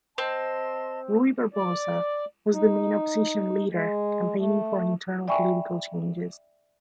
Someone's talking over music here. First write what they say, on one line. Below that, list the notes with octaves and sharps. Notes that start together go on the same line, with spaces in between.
Ruy Barbosa was the main opposition leader, campaigning for internal political changes.
C4 D#5 A5 C6
D5
D#4
G#3
A3
D5 E5 G5 G#5 B5 C#6